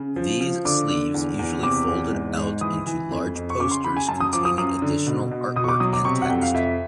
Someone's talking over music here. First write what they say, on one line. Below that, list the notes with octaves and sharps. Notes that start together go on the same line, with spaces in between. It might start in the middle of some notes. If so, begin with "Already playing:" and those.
These sleeves usually folded out into large posters containing additional artwork and text.
Already playing: C#3
F3
F3
D3 D6
D3
E2
E2
C3 D6
E2
G#2
G#2
E3 D#6
E3
F2
F2
C#6
C#3 D6
C6
C#3 B5
G#5
F#2 A5
D#6
F3 D6
D#6
F#2 D#6
D3
B2
B2
B2 D#6
C#6
D6
F#3 D#6
D6
C3 C#6
F#5
F2 G5
F5
F2 E5